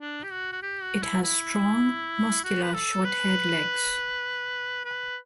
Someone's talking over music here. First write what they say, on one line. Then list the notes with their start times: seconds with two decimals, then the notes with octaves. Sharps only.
It has strong, muscular, short-haired legs.
0.01 D4
0.23 G4
0.31 F#4
0.52 F#4
0.62 G4
0.82 F#4
1.02 E4
1.22 E4
2.44 F#4
2.63 B4
2.74 A4
3.04 B4
4.85 B4